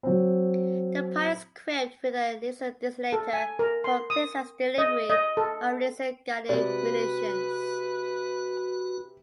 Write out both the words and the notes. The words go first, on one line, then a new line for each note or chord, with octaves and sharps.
The pod is equipped with a laser designator for precise delivery of laser-guided munitions.
F#3 C4
A4
G#5
A#4
C6
D#6
D#5
D#5
A4
C3 G#3 F#4 B4 D5